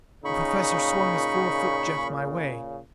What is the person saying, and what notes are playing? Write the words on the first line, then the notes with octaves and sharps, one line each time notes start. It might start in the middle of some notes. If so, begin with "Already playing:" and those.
The Professor swung his four-foot jet my way.
A#2 C#3 D#4 B5 C#6